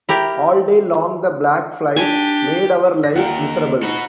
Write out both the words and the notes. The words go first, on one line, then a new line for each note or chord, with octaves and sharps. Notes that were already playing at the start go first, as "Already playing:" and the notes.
All day long the black flies made our lives miserable.
E4 G4 A#4
D4 G4 G#5
A#6
D#2 F4 G4 A#4 F#5
D#4 F#4 B4